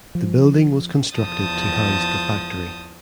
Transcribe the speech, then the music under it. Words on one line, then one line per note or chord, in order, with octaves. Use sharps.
The building was constructed to house the factory.
F3
E2 F3 A5 D#6 G6